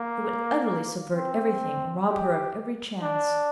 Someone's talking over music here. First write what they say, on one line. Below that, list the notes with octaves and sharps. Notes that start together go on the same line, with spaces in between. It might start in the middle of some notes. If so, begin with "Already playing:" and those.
It would utterly subvert everything and rob her of every chance.
Already playing: A#3
C4
G4
D4